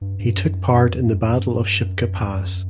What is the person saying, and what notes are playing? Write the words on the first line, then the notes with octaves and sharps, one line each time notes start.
He took part in the Battle of Shipka Pass.
G2
G2
F#2
F#2
E2
G2
F#2
E2
F#2
G2
F#2
F#2
E2
F#2